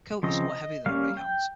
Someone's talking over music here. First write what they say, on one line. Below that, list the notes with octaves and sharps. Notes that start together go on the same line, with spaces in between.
The coat is somewhat heavier than a Greyhound's.
C#3 F3 C4 D#5
G3 A#3 C#4 F5
G5